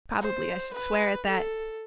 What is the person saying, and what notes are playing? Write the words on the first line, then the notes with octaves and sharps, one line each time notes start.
Probably I should swear at that.
C5
B4
A4